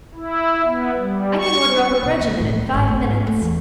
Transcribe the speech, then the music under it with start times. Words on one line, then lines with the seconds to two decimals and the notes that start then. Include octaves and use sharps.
'I can order up a regiment in five minutes.'
0.15 E4
0.63 B3
0.98 G3
1.37 C#6
2.03 B1
2.19 D#2
2.40 A2
2.59 F#2
2.74 G#1
2.88 A3
3.13 E4
3.27 A3
3.42 E2